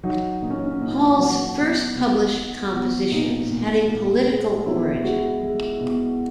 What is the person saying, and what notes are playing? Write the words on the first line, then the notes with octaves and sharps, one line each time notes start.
Hall's first published compositions had a political origin.
F#3 D#4
A#2 D#4
C#4
C#4
A#2 D#4
F#3
B2
B2
B2
B2
A#2 D#4
A#2
A#2
G#3
B2 E4
G#3 F#4
G#3
B2